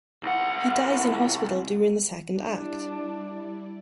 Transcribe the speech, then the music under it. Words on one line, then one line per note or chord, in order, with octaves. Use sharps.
He dies in hospital during the second act.
C2 F#5
G3 D4 E4 D5